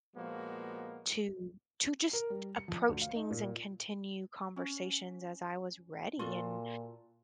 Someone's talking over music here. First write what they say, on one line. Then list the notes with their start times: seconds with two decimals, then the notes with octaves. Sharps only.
to to just approach things and continue conversations as I was ready, and
0.15 A#2 F3 G#3 A#3 B3 F#4
2.13 A#4
2.30 G3
2.56 C#7
2.68 F3
2.89 D2
3.01 F5
3.15 D#4
3.30 A#2
4.56 C#4
6.19 A#2 F4 F#4 A4